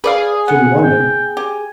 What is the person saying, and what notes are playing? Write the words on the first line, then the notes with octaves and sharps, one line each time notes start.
"Shouldn't wonder."
G#4 B4 D5 F5
B3 F#5
G5
G4 G#5